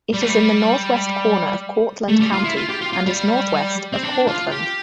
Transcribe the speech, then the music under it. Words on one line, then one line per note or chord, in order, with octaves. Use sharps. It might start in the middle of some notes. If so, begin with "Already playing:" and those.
It is in the northwest corner of Cortland County and is northwest of Cortland.
G3
A3
G3
A3
G3
F4
E4
F4
G4
F4
F4
G3
C4
D4
F4
G4